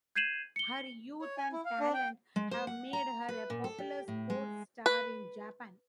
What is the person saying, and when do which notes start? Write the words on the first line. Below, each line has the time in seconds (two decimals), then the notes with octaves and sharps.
Her youth and talent have made her a popular sports star in Japan.
0.15 G6 G#6 C7 D#7 E7 F#7
0.56 C#7 G7
1.21 C#5
1.37 G#5
1.53 E4
1.65 F5
1.80 D4
1.94 G5
2.36 G#3
2.51 C5
2.67 F#5
2.93 A#5
3.29 B4
3.50 A#2
3.64 A4
3.78 G4
4.08 A2
4.30 G#3
4.86 B4